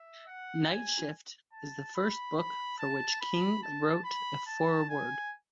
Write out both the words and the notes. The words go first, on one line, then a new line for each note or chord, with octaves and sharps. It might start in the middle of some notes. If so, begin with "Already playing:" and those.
"Night Shift" is the first book for which King wrote a foreword.
Already playing: E5
F#5
G#5
A5
B5
B5
A5
B5
A5
B5
A5
G#5